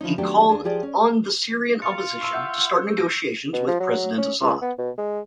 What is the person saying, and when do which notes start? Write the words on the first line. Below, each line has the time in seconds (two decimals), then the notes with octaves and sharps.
He called on the Syrian opposition to start negotiations with President Assad.
0.01 E3 F3 C#4 D#4
0.18 D#3 F#3 A3 B3 D4 G4
0.49 D#2 D4 G#4
0.64 F3 F4 G4 G#4 D5
0.83 C#4
1.82 F4 A6 C#7
2.21 C6 C#6 E6 C7
2.33 E5 F#5 E6 G6
2.76 C5
2.97 G6 A#6 D7
3.53 B2
3.67 F3
3.80 F#3
4.18 C#4
4.41 C#2
4.62 B3
4.78 B2
4.98 G#3